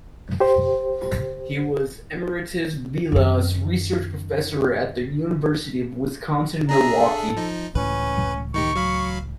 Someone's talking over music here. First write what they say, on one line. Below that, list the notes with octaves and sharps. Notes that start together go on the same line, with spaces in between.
He was Emeritus Vilas Research Professor at the University of Wisconsin-Milwaukee.
G4 C5
F#2 D#3
D4 G#4 E5 A#5
A4
F3 D#4
C#2 A2 E3 C#4 B4
D#3 D#4 G4 C#6
F#3 F5 B5